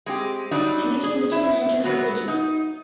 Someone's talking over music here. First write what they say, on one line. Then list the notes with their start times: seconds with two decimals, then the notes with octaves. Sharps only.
He became the team manager for Fiji.
0.06 G#3 C4 G4
0.51 F#3 G3 D4 D#4
1.03 G#4
1.31 E4 E5
1.84 F#3 B3 F#4
2.28 D#4